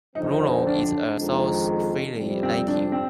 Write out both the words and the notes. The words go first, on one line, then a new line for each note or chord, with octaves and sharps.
Bruno is a "South Philly" native.
F2 D3 F3 C4 D#4
D#4
D4
F2 D#3 G#3 D#4
F2 C3 G3
C4
D4
C4